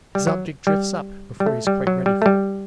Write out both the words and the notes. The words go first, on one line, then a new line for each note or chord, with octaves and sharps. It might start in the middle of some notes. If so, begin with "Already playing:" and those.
His object drifts up, before he is quite ready for it.
G3
F#3
G3
G3
A3
G3
F#3
G3
A3
G3